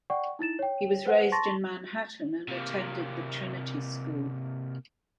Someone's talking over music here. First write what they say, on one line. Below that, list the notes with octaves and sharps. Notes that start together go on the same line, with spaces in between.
He was raised in Manhattan and attended the Trinity School.
D5 F#5 G5 C#6
D#4 E4 A6 E7
C#5 G5
B4 C5 F#5
A5 C6 C#6 A6 A#6
C3 A#3